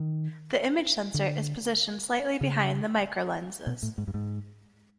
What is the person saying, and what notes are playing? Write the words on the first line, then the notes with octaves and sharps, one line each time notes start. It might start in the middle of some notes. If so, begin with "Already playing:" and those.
The image sensor is positioned slightly behind the microlenses.
Already playing: D#3
D3
C#3
B2
A2
G#2
G2
G#2